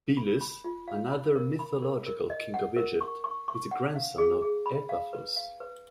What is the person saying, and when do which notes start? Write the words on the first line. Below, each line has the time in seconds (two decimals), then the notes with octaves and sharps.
Belus, another mythological king of Egypt, is a grandson of Epaphus.
0.17 B5
0.41 B5
0.64 F4
0.88 F5
1.11 B5
1.36 A#4
1.59 B5
1.82 A#4
2.06 A#4
2.30 D#5
2.54 F#5
2.76 A#4
3.01 C#6
3.24 C#6
3.48 C#6
3.71 F#5
3.95 F5
4.18 G#4
4.42 G#4
4.66 B5
4.89 F5
5.13 B4
5.36 F5
5.60 B4